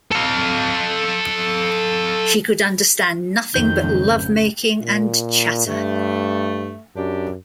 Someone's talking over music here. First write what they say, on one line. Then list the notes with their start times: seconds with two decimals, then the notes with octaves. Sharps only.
She could understand nothing but love-making and chatter.
0.12 A4 F5
3.54 F2 D#3 G6
3.83 G#1 C#3
4.82 A#2
5.66 G2 A3
6.96 F#2 D4 G4